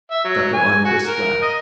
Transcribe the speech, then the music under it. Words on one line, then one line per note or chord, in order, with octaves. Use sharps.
Dr. Arnquist laughed.
E5
F#3
G#5
F#4
A#4
D#5